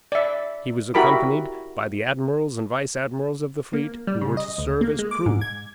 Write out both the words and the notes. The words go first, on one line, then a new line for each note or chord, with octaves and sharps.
He was accompanied by the admirals and vice admirals of the fleet, who were to serve as crew.
D5 E5
E4 F#4 G4 A#4 B5 D6
A#3
G3
C#3
D#5
D2
A#3
G#3
D6
G#2
G#6